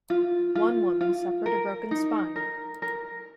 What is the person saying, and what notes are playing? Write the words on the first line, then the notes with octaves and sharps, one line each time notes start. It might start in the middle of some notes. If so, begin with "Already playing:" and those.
One woman suffered a broken spine.
F4
F4
F4
A#4
D#4
A#4
A#4